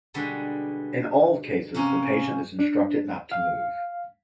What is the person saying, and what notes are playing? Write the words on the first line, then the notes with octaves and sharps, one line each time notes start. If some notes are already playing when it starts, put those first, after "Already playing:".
In all cases, the patient is instructed not to move.
B2 D3 G3 G#3
C3 A#3 C#4
D4
F5